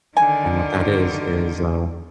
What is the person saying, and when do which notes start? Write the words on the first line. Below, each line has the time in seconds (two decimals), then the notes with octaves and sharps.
and what that is is, uh,
0.17 D3 D#3 G#5